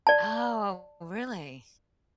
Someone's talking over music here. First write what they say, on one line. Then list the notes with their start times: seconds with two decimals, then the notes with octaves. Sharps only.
Oh, really?
0.07 D5 A5